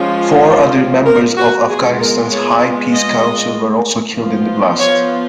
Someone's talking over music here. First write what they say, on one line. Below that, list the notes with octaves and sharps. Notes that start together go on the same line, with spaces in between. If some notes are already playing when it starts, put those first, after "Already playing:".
Four other members of Afghanistan's High Peace Council were also killed in the blast.
Already playing: F3 G#3 C#4 F4
A#4
F#4
G#3 B3 F4 G#4
A#4
C#5
D#5
F3 B3 F4
C#5